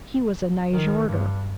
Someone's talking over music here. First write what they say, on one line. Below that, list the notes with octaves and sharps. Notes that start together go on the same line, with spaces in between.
He was a Nyjorder.
D#3
G2